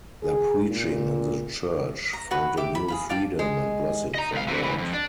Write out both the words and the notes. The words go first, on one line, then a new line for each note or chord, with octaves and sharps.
Their preaching, and the Church, found a new freedom and blessing from God.
G#4
A#2
A#5
F#4 B4
G4 E5 D6
B5
G#4 F5 B5
D5 F5 G5 A5
G#3
D#5 A#5
C#2 F5
C3 E3
C#2 E3
F2
D4